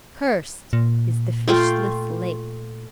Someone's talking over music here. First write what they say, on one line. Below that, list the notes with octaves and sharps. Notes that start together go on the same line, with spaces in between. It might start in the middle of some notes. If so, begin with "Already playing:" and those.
"Cursed is the fishless lake!"
A#2
A3 F4 G5